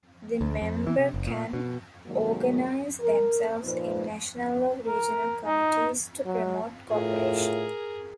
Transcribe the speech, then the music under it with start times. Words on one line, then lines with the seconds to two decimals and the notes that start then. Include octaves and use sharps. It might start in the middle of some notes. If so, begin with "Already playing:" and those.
The members can organize themselves in national or regional committees to promote cooperation.
0.41 D2
0.62 F2
0.87 E3
0.98 C3
1.14 F#1
1.27 A#2
1.53 B2
2.06 C3 D#3 F#3 G#3 A#3
3.00 A#4
3.63 A#2 F3 D#4 B4 C5
4.86 A#4
5.45 D#4
6.26 F#3
6.91 A2 F4 G#4 A#4